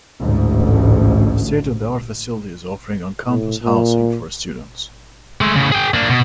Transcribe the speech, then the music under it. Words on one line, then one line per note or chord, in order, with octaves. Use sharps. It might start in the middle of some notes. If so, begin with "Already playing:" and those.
State of the art facilities offering on-campus housing for students.
A1 D2 G#2
A2
A#2
G#3 A3
A2 C#3
G#4 G5
A#3 D4
B2